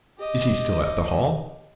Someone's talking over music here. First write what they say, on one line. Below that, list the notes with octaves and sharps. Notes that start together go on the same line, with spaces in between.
"Is he still at the Hall?"
G4 D#5